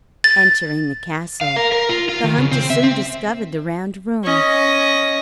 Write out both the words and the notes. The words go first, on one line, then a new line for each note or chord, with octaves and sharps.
Entering the castle, the hunter soon discovered the round room.
A6
F5
A#4
A#4
F4
F4
D#3
C#3
C4
E5
C4
C#4 D#5